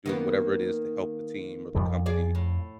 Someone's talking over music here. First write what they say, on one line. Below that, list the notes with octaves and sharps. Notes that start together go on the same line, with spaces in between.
doing whatever it is to help the team, or the company,
D#3 A#3 B3
F2 F3 G3
G#4 D5
A2